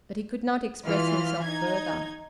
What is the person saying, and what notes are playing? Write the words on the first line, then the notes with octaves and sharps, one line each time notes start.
But he could not express himself further.
E3 F4 F6
D#4 G#6